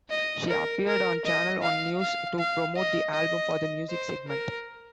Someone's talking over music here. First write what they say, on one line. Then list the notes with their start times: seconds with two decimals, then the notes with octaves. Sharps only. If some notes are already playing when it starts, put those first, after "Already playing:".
She appeared on Channel One News to promote the album for the music segment.
0.10 D#5
0.49 A#4
0.87 A#4
1.25 D#5
1.62 F5
2.01 F5
2.39 F5
2.76 D#5
3.14 D#5
3.90 C5
4.28 A#4